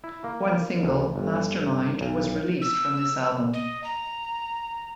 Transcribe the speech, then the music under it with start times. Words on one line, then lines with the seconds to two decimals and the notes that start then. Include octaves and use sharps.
One single, "Mastermind" was released from this album.
0.04 E4
0.24 A#3
0.83 D2
1.16 G1
2.01 B1
2.62 E6
3.53 D#5
3.84 A#5